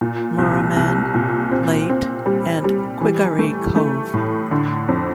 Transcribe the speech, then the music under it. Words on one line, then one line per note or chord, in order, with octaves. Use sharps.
Loroman, Late and Quigaray Cove.
A#2
C2
C2
A#2
C4
C4
G3
G3
E3
A3
A3
A2
D3
F2